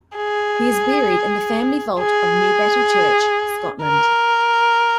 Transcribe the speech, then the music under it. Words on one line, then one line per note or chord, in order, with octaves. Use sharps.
He is buried in the family vault of Newbattle Church, Scotland.
G#4
G#4
A#4